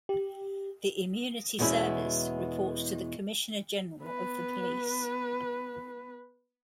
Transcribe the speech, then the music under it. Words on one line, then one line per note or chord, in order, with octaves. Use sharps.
The Immunity Service reports to the Commissioner General of the Police.
G4
E2 B2 G#3 C#4 E4 F#4
B3 B4